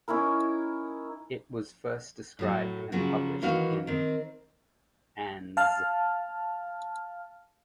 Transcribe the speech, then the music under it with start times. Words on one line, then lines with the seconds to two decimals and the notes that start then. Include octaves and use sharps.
It was first described and published in Anz.
0.08 C#4 D#4 E4 A#4
2.39 A2 F#3 A3
2.92 C#3 F3 F#3 F#4
3.42 D#3 E3 D#4 F#4 F5
3.87 D#3 C4
5.57 F5 A5 F6